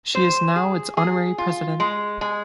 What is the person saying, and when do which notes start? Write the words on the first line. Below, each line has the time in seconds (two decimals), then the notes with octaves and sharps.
She is now its Honorary President.
0.15 C5
0.56 G#4
0.97 G#4
1.38 F4
1.80 G#3
2.21 G#3